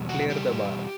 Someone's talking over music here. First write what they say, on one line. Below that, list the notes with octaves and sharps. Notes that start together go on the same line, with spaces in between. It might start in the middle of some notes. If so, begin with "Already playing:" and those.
Clear the Bar.
Already playing: E2 B2 G3
F#4
E2 B2 G3 G4